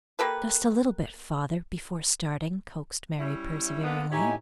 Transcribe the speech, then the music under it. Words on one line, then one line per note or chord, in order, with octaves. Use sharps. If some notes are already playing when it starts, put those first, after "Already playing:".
"Just a little bit, father, before starting," coaxed Mary, perseveringly.
A#3 G4 A4 B4
G3 C#4 E4
D3 A#3 B3
A2 D#4 E4 G4 C#5 G#5